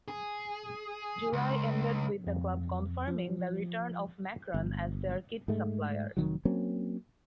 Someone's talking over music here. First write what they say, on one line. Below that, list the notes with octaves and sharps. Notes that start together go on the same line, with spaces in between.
July ended with the club confirming the return of Macron as their kit supplier.
G#4
C#2
F2
F3
G1
G#2 G#3 A3
F1 D#3 F#3
F#3 A#3 C4 C#4